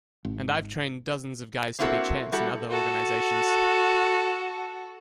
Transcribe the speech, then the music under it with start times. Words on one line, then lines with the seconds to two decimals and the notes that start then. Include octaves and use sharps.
And I've trained dozens of guys to be champs in other organizations.
0.25 G#1
1.79 A#3 C4 E4 F#4 A4 A#4
2.32 G3 E4 F#4 A4
2.70 F#4 A4